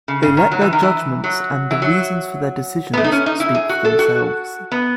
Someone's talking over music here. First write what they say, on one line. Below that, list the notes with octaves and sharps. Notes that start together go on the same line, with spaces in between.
They let their judgments and the reasons for their decisions speak for themselves.
C#3
C#3
D#3
F#3
E3
D#3
E3
F#3
E3
F#3
B3
A3
D#4
C#4
D#4
E4
G#4
F#4
A4
F#4
B3